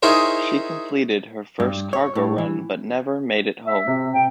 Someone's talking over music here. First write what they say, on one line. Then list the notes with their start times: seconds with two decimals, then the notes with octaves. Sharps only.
She completed her first cargo run, but never made it home.
0.03 D#4 E4 G#4 A#4 C5 C#5
1.60 G2
1.93 C#5
2.15 A2
2.38 E3
3.67 E5
3.87 C3
4.14 C3 G5